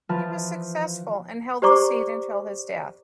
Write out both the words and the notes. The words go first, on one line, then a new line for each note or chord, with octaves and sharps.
He was successful, and held the seat until his death.
E3 F3 B4 A5 F6
G4 C5 D5 A#5 C#6 D6